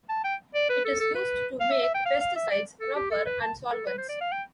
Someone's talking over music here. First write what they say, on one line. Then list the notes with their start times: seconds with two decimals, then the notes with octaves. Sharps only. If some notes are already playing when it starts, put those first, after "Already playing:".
It is used to make pesticides, rubber, and solvents.
0.09 A5
0.24 G5
0.55 D5
0.69 B4
0.85 A4
1.00 A4
1.15 B4
1.60 F5
1.71 E5
1.83 E5
1.95 G5
2.05 F5
2.21 F5
2.36 E5
2.51 D5
2.81 A4
2.96 G4
3.11 A4
3.26 B4
3.42 A5
3.71 A4
3.87 B4
3.98 C5
4.09 D5
4.21 F5
4.32 G5